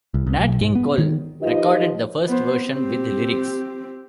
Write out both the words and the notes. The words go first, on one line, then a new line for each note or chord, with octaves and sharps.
Nat King Cole recorded the first version with lyrics.
C2
C2
B1
G#2
B3
D#3
F3 D#4 F4 G4 B4 D#5
B3 C5
C4 G4